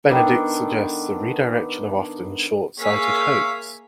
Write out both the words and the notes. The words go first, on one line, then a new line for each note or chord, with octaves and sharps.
Benedict suggests a redirection of often short-sighted hopes.
D#3 B3 D4 A4
A#3 G#4 C#5 E5 F5 B6